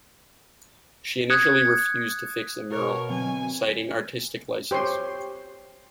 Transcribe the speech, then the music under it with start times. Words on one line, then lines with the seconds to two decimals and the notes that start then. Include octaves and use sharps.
She initially refused to fix the mural, citing artistic license.
1.30 D#6 F#6 G#6 C#7
2.71 B2 A#4 C#5
3.10 D3 F#3 C4 G#5
4.71 G4 C5 C#5 C6